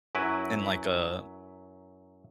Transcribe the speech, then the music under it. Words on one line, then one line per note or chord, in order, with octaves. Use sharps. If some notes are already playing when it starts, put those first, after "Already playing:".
in, like, a
F#2 F#3 E4 B4